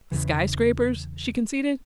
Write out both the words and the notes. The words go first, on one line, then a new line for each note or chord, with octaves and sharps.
"Sky-scrapers?" she conceded.
E2 C#3 E3